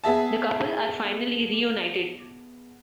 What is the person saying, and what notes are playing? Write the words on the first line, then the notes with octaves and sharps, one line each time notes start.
The couple are finally reunited.
B3 G#4 E5 A5